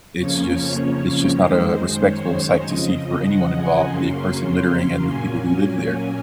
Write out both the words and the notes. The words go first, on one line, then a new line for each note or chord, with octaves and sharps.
It's just It's just not a respectful sight to see for anyone involved- the person littering and the people who live there.-
F2 C#3 F3 A#3 C#4 C#5
C#5
F#2 D#3 G#3 C5
C#5
F2 C#3 F3 D#5
F#5
G#5
F#2 C#3 F#3 A#3 C#4 C6
A#2 F#3 A#3 C#4 G#5